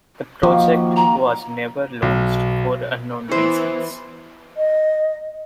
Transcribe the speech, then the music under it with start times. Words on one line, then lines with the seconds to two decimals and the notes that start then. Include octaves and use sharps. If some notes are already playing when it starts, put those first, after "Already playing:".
The project was never launched for unknown reasons.
0.43 D#3 F3 A#3 F#4
0.96 A#5
2.02 B1
3.31 E3 B3 C5
4.57 D#5